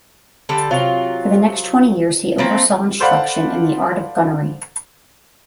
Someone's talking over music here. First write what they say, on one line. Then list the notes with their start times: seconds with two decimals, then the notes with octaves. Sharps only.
For the next twenty years he oversaw instruction in the art of gunnery.
0.49 D3 G3 A4
0.71 C3 F#3 F4
2.38 A3 A#3 C4
3.00 A4 C5 D5 F5 F#5 B5